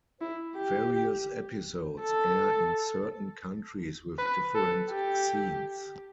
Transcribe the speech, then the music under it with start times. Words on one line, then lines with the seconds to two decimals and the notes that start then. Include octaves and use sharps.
Various episodes air in certain countries with different scenes.
0.21 E4
0.57 G4
2.01 A4
4.19 B4
4.55 A4
4.91 G4